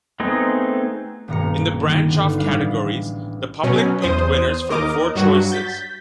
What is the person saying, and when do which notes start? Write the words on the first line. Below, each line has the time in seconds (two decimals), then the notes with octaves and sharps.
In the branch-off categories, the public picked winners from four choices.
0.20 A3 B3 C4 D#4 G#4
1.28 D#1 G2 B2 A#5 C#7
1.79 D3 D#3 G3
2.09 G1 D3
2.38 A1 G3 G#3 D4 F5 C7
3.64 B2 F#3 C#4
4.02 E2 C5 D#6
4.69 D#2 A#4 D#5 D6
5.15 G2 F#3 F#4
5.52 G6 A6 B6